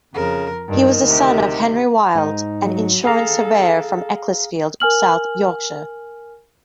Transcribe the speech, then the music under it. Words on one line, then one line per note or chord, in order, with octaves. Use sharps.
He was the son of Henry Wilde, an insurance surveyor from Ecclesfield, South Yorkshire.
F2 C#3 A#4
G2 D#3
D2 C3 G4
G#2 D#4
F#3
G#4 A4 F5 A#5
A#4 G#5 F6 F#7